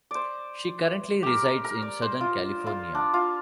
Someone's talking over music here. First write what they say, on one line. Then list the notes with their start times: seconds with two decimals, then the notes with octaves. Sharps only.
She currently resides in Southern California.
0.11 C5 D5
1.23 G4 A#4
1.45 A#4
1.64 A#4
1.82 D5
2.02 C5
2.21 F4
2.67 F4
2.95 D4
3.14 F4